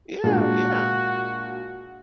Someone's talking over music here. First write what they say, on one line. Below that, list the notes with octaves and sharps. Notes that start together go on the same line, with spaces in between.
Yeah, yeah.
A#2 G#3 D4 F#4